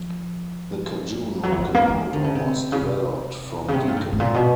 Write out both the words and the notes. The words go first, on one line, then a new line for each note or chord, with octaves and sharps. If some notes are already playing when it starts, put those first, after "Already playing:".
The Cajun rocket motor was developed from Deacon.
Already playing: F3
F#3
E3
F3
A#3
A3
D#3
D3
C#3
C3
C#3
C3
C#3
C3
A#2
A2
A2
A#2
B2